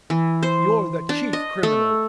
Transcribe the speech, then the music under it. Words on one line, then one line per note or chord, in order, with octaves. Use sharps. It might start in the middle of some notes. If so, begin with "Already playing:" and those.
You're the chief criminal!
E3
C5
D4
D#5
A3